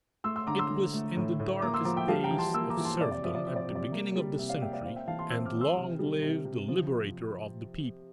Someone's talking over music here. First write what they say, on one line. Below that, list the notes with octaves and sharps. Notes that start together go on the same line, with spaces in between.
It was in the darkest days of serfdom at the beginning of the century, and long live the Liberator of the People!
A3 C6 E6
C6 E6
D3 A#5 D6
C6 E6
D3
A3
A2
A2
A#3 A#5 D6
C6 E6
F3 A#5 D6
E5 G5
G3 F5 A5
G5 A#5
E3
A5 C6
A#3 C6 E6
A#5 D6
E3
A5 C6
C3 D5
D5
F3 E5
D5
C4 E5
D5
C3
D5
A#3
G3
C3 E5
D5 F5
A#3 E5 G5
D5 F5
C4 F5
E5 G5
E3 F5 A5
A5 C6
C4 C6 E6
D6 F6
E3
C6 E6
C3
G3
C3
C3
F3